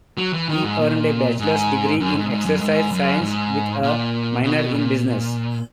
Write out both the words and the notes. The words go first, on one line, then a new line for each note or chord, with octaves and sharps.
He earned a bachelor's degree in exercise science with a minor in business.
F#3
E3
D#3
G#2
A#2
G#2
F#2
G#2
G#2
F#2
G#2
F#2
G#2
A#2
B2
A#2